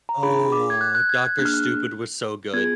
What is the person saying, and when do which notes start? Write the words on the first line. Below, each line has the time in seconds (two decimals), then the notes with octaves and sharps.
Oh, Doctor Stupid was so good.
0.09 A#5
0.23 D4 F4 G#4 B5
0.52 D6
0.70 G#6
0.81 F#6
0.95 F#6
1.09 G#6
1.24 F#6
1.38 A#3 D4 G#4 F#6
1.45 F6
1.54 F#6
2.53 B3 F4 G#4 G#6